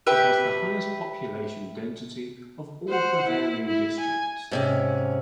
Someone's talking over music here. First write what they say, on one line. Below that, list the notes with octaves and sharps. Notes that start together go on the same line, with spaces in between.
It has the highest population density of all Bavarian districts.
G4 B4 E5
C5 F#5
E4
E4
G#5
G#2 C3 C#4